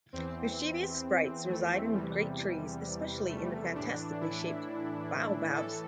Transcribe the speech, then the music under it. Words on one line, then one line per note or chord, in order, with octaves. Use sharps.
Mischievous sprites reside in great trees, especially in the fantastically shaped baobabs.
E2 E3 C4
A3
E2 C3 E3 G3
A3
A2 E3 D4
E4
A2 E3 A4